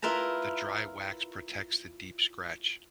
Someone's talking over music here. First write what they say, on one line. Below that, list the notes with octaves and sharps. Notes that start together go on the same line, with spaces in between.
The dry wax protects the deep scratch.
E4 F4 A#4 B4 A5 A#5